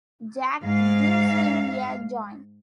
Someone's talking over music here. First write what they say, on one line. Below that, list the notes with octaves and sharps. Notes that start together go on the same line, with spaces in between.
Jack gives him a joint.
G#2 F5